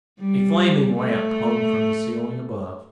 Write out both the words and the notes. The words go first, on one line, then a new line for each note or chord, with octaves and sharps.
A flaming lamp hung from the ceiling above.
G3
A3